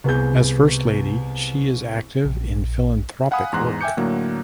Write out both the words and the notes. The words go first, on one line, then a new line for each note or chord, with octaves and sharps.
As First Lady she is active in philanthropic work.
C2 B3 G#4 G6
A#1
F5 F#5 G#5 B5 D#6
E2 G#2 A#5 C6 F#6
E5 G5 G#5 D6 G6 C#7
A2 D3 F#3 A#3